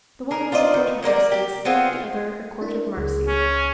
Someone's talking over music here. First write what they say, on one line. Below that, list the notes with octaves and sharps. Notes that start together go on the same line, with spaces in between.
The one was a court of justice, the other a court of mercy.
G#4 A#4
F4 C5 D5 D#5
D#3
F#3 A#3 A#4 D5
G4
B3 C4 F4 G#4
D4 E4 A#4
C#2 G#4
C#4